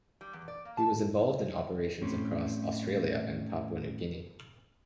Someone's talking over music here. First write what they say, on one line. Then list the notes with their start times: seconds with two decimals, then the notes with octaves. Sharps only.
He was involved in operations across Australia and Papua New Guinea.
0.21 G3
0.33 E2
0.48 D5
0.65 A#3
0.77 A5
2.02 A2 C4 C#4 G4